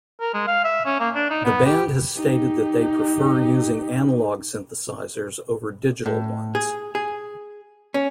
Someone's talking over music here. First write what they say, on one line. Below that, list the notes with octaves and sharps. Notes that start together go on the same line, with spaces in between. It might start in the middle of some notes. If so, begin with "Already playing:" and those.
The band has stated that they prefer using analogue synthesizers over digital ones.
A#4
G#3
F5
E5
C#4
A#3
D4
D#4
B3
G4
D#4 G4
A2
G#4
G#4
C#4